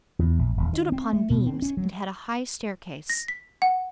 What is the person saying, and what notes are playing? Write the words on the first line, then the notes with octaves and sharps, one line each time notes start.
It stood upon beams, and had a high staircase.
E2
A#1
D#1
D#3
C4
A3
B2
C4
C#4
F#3
A#6
B6
F#5